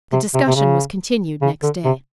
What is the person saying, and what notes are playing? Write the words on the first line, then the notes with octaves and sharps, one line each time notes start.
The discussion was continued next day.
C3
C3
C3
C#3
C#3
D3
C3